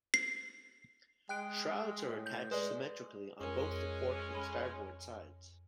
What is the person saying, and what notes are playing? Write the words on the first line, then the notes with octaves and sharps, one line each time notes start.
Shrouds are attached symmetrically on both the port and starboard sides.
C7
G#3 G5 F#6 D7
A2
G6
G#3 B4 D5
F2 G#3 C#4 A#4
A4 B5